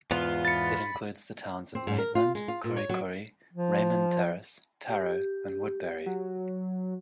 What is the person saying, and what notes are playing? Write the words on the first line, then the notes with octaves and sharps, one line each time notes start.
It includes the towns of Maitland, Kurri Kurri, Raymond Terrace, Tarro and Woodberry.
E2 G#2 B3 F4
B5 A6 C#7
C4
G#2
A#4
F4
G#3
F4
A#2
C#5
F#3
F3
G4
F#3